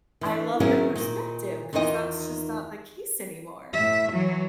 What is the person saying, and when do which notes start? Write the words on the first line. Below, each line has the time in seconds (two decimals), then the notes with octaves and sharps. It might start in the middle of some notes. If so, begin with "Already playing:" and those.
I love your perspective 'cause that's just not the case anymore.
0.21 E3 D4
0.60 D#3 F#3 C#4 E4 G#4 A#4
0.96 A#2 D#3
1.73 E2 D#3 D#4 F4 D#5 G5
3.73 A2 E5
4.12 E3 F#3